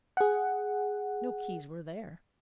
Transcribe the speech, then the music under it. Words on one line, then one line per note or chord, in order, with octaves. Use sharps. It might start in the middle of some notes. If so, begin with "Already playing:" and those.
No keys were there.
G#4 F#5